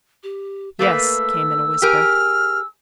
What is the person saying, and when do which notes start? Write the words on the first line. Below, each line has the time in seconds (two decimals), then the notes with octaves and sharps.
"Yes," came in a whisper.
0.24 G4
0.79 A3 A#3 B4 E6
1.82 G4 G#4 A#4 F6